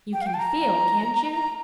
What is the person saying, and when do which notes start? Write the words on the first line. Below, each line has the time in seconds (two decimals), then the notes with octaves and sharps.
"You can feel, can't you?"
0.13 G5
0.21 F5
0.26 G5
0.34 A5
0.39 A#5
1.32 A#5